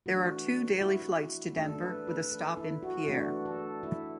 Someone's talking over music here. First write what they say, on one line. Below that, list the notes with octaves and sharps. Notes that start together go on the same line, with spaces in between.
There are two daily flights to Denver, with a stop in Pierre.
E3 A3 D4 F#4
F#4
E4
E3 A3 D4 A4
B4
B4
A4
E4
F#4
E3 A3 D4 F#4
A4
E4